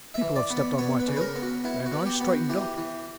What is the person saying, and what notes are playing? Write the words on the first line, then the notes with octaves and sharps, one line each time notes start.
People have stepped on my tail, and I straightened up.
E5
E3
D5
B3
D5
B3 C#5
B4
C#3
B4
A#4
B3
F#4
B3 E4
F#4
B3
G4
B3
F#4
E3 G4
E3